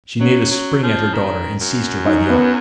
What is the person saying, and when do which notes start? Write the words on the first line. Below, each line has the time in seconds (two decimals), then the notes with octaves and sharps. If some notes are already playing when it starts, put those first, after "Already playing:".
She made a spring at her daughter, and seized her by the arm.
0.20 F#3 C#4
0.51 F#3
0.83 F3
1.14 D#3
1.60 F#2
2.06 D#4
2.29 B3